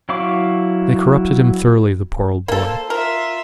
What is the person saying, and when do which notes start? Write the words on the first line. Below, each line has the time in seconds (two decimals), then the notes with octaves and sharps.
They corrupted him thoroughly, the poor old boy.
0.09 F#3 E4 F5 C#6 D6
2.48 A#3 A4 C5
2.90 F4 A#4 E5